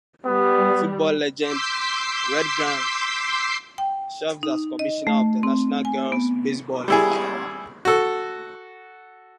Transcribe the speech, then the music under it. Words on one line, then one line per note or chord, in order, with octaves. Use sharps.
Football legend Red Grange served as commissioner of the National Girls Baseball League.
G3 B3
C6 D6 E6 G6 B6 C7
G5
D#4
D#5
A3
C4
G#5
B3
G3 E4 G#4
F#4 A4